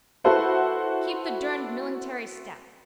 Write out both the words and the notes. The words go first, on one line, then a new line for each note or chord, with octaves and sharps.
Keep the durned millingtary step.
E4 F#4 A4 B4 C5 F#5